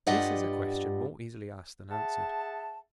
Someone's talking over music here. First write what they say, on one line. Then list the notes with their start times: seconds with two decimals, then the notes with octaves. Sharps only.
This is a question more easily asked than answered.
0.07 G2 F4 G4 D5 D#5 F#5
1.90 G#4 E5 F#5 A5